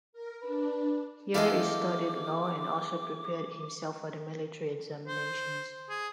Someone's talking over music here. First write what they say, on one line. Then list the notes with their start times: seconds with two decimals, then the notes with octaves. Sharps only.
Here he studied law, and also prepared himself for the military examinations.
0.13 A#4
0.42 D4 B4
1.34 E2 A4 D#5 F5 G5 D6
5.08 C5
5.89 G#4